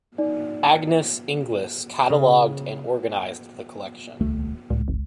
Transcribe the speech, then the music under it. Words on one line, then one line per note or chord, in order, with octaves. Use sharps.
Agnes Inglis cataloged and organized the collection.
D#4 D5
C#3
D#1 C#2 A3
C#2 A2
G1